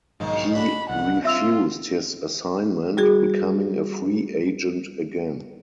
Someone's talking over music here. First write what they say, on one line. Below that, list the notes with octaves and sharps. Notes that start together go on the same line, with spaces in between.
He refused his assignment, becoming a free agent again.
B1 G#2 D#3 F3 G#3
D4 F#4 B5
C2 F#5
C4 F4 E5 E6 F7
G3 F#4 G#4